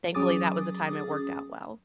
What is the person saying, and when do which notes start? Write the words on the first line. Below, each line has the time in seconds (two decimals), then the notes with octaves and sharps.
thankfully, that was the time it worked out well.
0.14 F#3 C#4 G#4 D6 D#6 A6